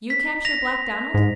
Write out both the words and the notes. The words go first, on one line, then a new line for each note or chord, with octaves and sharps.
You capture Black Donald!
B6
A#6 F7
G#2